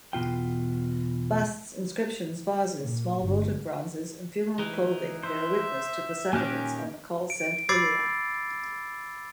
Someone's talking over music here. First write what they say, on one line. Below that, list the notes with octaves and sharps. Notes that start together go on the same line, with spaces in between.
Busts, inscriptions, vases, small votive bronzes and funeral clothing bear witness to the settlements on the Col Sant’Elia.
E2 B2 F4 G5
A#2
G1
E3 D#4
C5 E5
A#2 D#3 A#3 C#4 G4 G#5 F6 F#6
D7
B5 D6 E6 G#6 A6 C7